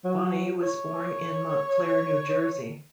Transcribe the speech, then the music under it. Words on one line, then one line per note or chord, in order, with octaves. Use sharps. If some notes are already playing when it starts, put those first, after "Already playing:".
Bonney was born in Montclair, New Jersey.
F#3
C#5